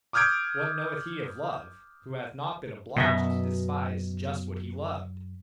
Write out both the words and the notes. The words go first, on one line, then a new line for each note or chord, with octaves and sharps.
What knoweth he of love who hath not been obliged to despise just what he loved!
D6 D#6 F6 G6 G#6 D7
F#2 B2 D#5 E5